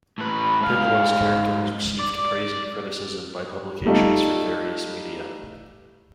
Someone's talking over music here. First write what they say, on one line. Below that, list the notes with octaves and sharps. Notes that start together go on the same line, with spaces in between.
Piccolo's character has received praise and criticism by publications for various media.
A2 B4
G#2 F5
D5
G3 A3 D#4 F4